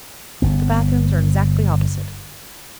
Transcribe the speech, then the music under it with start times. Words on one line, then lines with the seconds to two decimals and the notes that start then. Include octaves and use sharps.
"The bathrooms are exactly opposite."
0.42 G1 B3